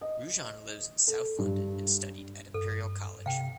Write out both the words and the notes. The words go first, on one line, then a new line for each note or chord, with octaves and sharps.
Rajan lives in South London and studied at Imperial College.
D#5
A4
G2
G2 A4
C3 F5 G5